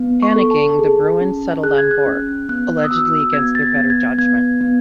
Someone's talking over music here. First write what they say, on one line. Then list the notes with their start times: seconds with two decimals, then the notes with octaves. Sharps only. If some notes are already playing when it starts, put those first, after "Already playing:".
Panicking, the Bruins settled on Bourque, allegedly against their better judgment.
Already playing: B3
0.22 C#6
0.36 A4
0.51 A5
0.79 G#4
1.21 C#4
1.63 G#4 F#6
1.78 G#6
1.91 F#6
2.06 C#4
2.49 B3 F#6
2.77 E6
2.84 D#6
2.91 F#4 E6
3.05 E6
3.33 B3 G#6
3.55 A6
3.62 G#6
3.76 B3
3.90 G#6
4.18 B3 G#6
4.61 B3